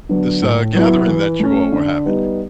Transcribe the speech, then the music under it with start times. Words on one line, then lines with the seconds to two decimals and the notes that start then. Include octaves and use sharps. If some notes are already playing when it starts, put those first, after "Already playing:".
this, uh, gathering that you all were having.
0.09 D3 F#3 B3
0.42 A2
0.75 F#3 B3 E4
1.08 E3
1.40 A3 C#4
1.72 D3
2.05 G3 B3 D#4